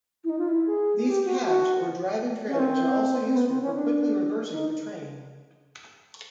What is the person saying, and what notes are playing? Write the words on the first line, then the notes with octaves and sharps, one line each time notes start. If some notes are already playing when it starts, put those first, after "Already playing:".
These cabs or driving trailers are also useful for quickly reversing the train.
E4
D#4
F4
E4
G#4
G4
F#4
F#4
C#4
C4
C4
B3
C4
C#4
D4
D#4